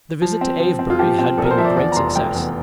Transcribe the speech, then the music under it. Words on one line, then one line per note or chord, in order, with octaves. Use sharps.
The visit to Avebury had been a great success.
F3
C4
F3
C4
F4
F3 G4
C4
A#1 A4
A#4
C5
F3 E5
D5
E2 D5
A#5
F1 C6
F1 G5
E2